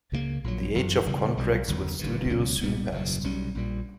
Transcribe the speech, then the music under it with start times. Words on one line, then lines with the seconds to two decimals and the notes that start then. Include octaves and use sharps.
The age of contracts with studios soon passed.
0.12 C#2 C#3 E3 A#3
0.44 A#1 A#2 F#3
0.75 G1 F#2 E3
1.06 E1 D2 C#3 G3
1.37 B1 B2 G3
1.68 F#1 E2 D3 F#3
1.99 G1 G2 E3
2.30 C#2 B2 F#3 C#4
2.61 B1 A#2 G3 B3
2.92 F#1 E2 B2
3.24 B1 B2 G3 C#4
3.55 A#1 A#2 G3